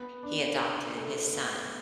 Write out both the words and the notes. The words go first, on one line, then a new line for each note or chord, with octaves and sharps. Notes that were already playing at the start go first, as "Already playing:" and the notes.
he adopted his son,
Already playing: B3
D4
B4
A3
B3